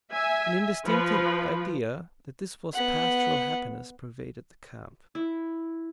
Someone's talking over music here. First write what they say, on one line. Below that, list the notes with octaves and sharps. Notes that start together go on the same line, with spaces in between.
An indistinct idea that this was pastoral happiness pervaded the camp.
E5 G#5
F3 B4
B3 F#5
E4